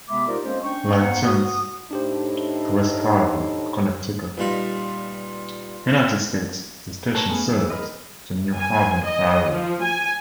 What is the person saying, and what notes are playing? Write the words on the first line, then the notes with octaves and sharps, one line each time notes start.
Licensed to West Haven, Connecticut, United States, the station serves the New Haven area.
C3 G#3 B3 E5 B5 D6
D#4 F4 G4 A#4 C5 D5
G#3 A#3 C4 C#4 A4 C5
C#4 D4 G5 C#6
A#3 B3 C5 F#5
F#4 D#6
A2 D4 D#4 G4 C5
A#2 G3 D#4 F4 B4
A4 B4 C#5 A5 A#5
A3 B3 C#4 G#4
E3
G#4 A#4 B4 D#5
G#5
D#5
F3
G#5